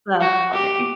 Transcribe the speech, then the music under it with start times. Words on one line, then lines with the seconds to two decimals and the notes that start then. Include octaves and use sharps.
That's funny.
0.20 F#4
0.53 G4